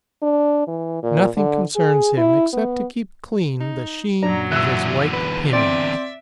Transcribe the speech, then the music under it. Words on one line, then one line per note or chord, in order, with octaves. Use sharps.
Nothing concerns him except to keep clean the sheen of his white pinions.
D4
E3
A#2
D3
G#4
E4
B3
D#4
F#2 A#2 F#3 D4 A#5
E2 D3 E5 E6 F#6
B4
C4 D5 E5 D7